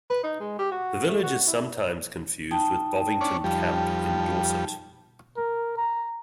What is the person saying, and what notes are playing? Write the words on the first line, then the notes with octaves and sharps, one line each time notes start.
The village is sometimes confused with Bovington Camp in Dorset.
B4
D#4
G#3
G4
F#4
A3
F#4
E4
D#4 G5 A5
C#4 D4
F2 G3
A#4
A#5